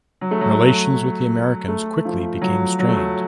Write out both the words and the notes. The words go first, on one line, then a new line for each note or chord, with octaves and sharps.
Relations with the Americans quickly became strained.
F#3
A3
F#3
A3
F3
F#3
F#3
A3
F#3